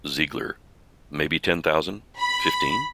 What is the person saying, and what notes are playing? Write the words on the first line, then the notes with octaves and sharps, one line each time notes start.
Ziegler: Maybe ten thousand - fifteen?
B5